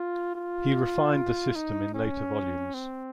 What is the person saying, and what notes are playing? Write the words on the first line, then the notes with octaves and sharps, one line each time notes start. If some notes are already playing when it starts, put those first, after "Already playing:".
He refined the system in later volumes.
Already playing: F4
F4
D#4
C#4
C4